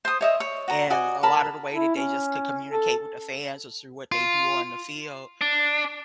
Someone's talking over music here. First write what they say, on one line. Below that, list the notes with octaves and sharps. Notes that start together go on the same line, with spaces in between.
and a lotta the way that they just could communicate with the fans is through what they do on the field
C5 D#6
C#5 D#5 E5
C#5
F#4 A#5
F#4 D5 D#5 G#5
A#4 A5 B5
E4
C#4
A4
F4
D4